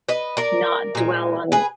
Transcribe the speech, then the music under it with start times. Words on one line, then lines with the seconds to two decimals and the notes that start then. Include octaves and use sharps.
not dwell on
0.09 B4 D#5
0.37 A#4 D5
0.95 A#2 G#3
1.52 G#4 B4